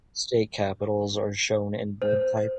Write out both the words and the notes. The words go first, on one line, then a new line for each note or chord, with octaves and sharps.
State capitals are shown in bold type.
C5